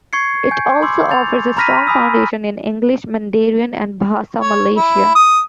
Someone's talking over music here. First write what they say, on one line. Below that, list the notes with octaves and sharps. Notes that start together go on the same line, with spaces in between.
It also offers a strong foundation in English, Mandarin and Bahasa Malaysia.
C#6 G#6 C7 C#7
G#5 G6
B5 C6 D6 E6
G6 A6 F7
A#5 B5 F6 A#6 B6 D#7
G#5 B5 D#6 E6
C#5
E4
D#6